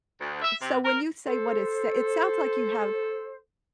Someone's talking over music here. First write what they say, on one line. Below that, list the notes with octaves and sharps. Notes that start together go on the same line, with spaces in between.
uh, so when you say what it s it sounds like you have
D2
E5
C3
A#4
A4 C5